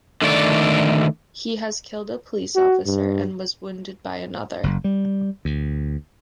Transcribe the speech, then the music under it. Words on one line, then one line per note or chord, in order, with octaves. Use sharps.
He has killed a police officer and was wounded by another.
D3 D#3 A3 D5
F#4
G2
F#1
G3
D2